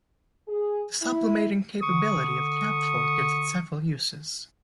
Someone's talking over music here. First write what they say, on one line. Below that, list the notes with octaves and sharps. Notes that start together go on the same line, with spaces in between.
The sublimating capability of camphor gives it several uses.
G#4
E4
D3 C#6 D#6